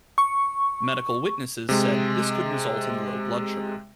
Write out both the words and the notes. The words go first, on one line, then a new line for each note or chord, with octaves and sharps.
Medical witnesses said this could result in low blood sugar.
C#6
C3 G#3